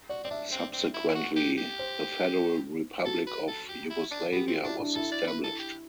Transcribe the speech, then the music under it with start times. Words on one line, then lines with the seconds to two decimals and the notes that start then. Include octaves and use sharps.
Subsequently, the Federal Republic of Yugoslavia was established.
0.09 F#4 D5
0.24 C4 D5
0.31 D4 E5
0.52 C4
0.73 C4
0.94 E4
1.10 E4
1.15 F#4
1.36 G4
1.58 G4
1.79 C5
3.06 F#4 A4
3.27 B4
3.48 A4
3.69 G4
3.90 E4
4.11 D4
4.32 B3 G4
4.48 C4 F#4
4.64 D4 E4
4.79 D4
4.96 E4 A4
5.12 D5
5.28 B4
5.44 A4
5.59 G4